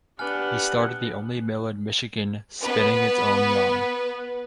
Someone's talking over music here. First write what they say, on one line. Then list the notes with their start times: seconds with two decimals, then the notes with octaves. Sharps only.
He started the only mill in Michigan spinning its own yarn.
0.19 B3 D4 G4 G#5 F6 F#6
2.62 B3 B4